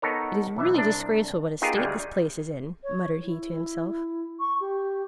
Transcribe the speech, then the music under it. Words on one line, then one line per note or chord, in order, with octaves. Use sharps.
"It is really disgraceful what a state this place is in," muttered he to himself.
B3 D#4 A4 A#4 C#5
B1 E3 E5
C2 D4
B3 D#4 F4 G4 G#4 A#4
D2 G3 G#3
C#5
E4
C#6
G4